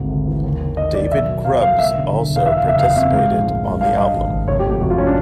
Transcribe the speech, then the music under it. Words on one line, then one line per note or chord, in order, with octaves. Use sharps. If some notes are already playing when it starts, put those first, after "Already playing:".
David Grubbs also participated on the album.
Already playing: G#1 D2 C3
D2
E3
D#2
D#2
D#2 D#5
D#3 D5
B1 E5
B2
B1 F5
B1 F5
E1 E5
D3
D3
E1
F5
E2 E5
F5
F#1
E5
E2 F5
C3 E5
G#2 F5
A#1
G#2
A#1
G2 F5
G2 D#5
G#1
G#1
F1 C#5
G4
F2
G4
F1 F#4
F4
C#4
D4